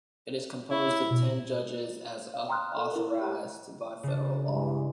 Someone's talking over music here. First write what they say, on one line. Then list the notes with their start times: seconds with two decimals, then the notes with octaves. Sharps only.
It is composed of ten judges as authorized by federal law.
0.70 E4
1.10 B2
2.34 F5
2.49 G5 A#5 C6 D#6 F6 F#6
2.77 A4
2.92 E4 A#4
3.21 G4
4.03 C#3 D4
4.47 G2 E3 G#3